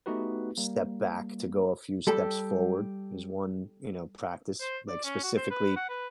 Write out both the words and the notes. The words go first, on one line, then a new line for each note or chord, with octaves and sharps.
step back to go a few steps forward is one, you know, practice like specifically
A3 B3 D#4 F#4 G4 B4
G3 A#3
G3 G4 A4
C5
D5
C#4
F#4
C5
B4
F#5
B4